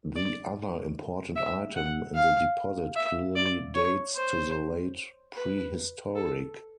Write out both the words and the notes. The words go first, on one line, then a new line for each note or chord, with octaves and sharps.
The other important item in the deposit clearly dates to the late prehistoric.
D5
E5
F#5
F5
E5
D5
C#5
C5
B4
A4